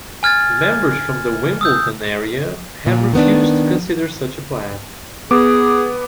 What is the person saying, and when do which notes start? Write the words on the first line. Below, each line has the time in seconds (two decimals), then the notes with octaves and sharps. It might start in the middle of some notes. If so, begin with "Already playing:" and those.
Members from the Wimbledon area have refused to consider such a plan.
0.23 G#5 F6 G#6 A6
1.61 D#6 E6 G6
2.86 A#2
3.13 D#3 B3 D4
5.31 B3 G#4 D6